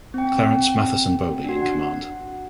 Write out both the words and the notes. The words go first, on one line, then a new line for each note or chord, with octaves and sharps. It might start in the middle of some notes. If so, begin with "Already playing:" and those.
Clarence Matheson Bowley in command.
C4 G5
D4 F#4
F#5